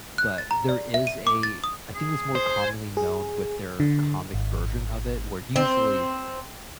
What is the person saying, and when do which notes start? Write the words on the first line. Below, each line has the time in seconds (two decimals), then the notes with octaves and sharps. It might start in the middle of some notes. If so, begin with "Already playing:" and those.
but there is a I think it's more commonly known with their comic version of it where usually
0.18 F#6
0.38 A6
0.51 A#5
0.69 D5
0.94 E5
1.07 D#7
1.27 D6
1.43 A6
1.64 D#6
1.95 G#4
2.35 C5
2.61 G#5
2.97 G#4
3.80 D3
4.34 G#1
5.56 C4